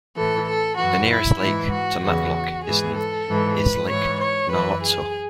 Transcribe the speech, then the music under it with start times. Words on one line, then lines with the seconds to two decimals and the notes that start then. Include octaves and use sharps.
The nearest lake to Matlock is Lake Nahwatzel.
0.17 A2 E3 A4
0.49 A4
0.79 F#2 E3 F#4
1.11 E4
1.41 G#2 E3 E4
1.73 F#4
2.03 E2 C#3 E3 F#4
2.66 G#2 E3 G#4
2.97 A4
3.28 G#2 E3
3.60 B4
3.90 G#2 E3 C#5
4.21 C#5
4.52 F#2 E3 B4
4.83 G#4